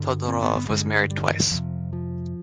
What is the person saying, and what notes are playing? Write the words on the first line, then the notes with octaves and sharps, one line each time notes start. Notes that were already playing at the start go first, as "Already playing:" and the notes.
Todorov was married twice.
Already playing: G2 D3
C4
B3
B3
G2 D3 G#3
G3
D#3
D#3
D#3
F2 C3 F3
F3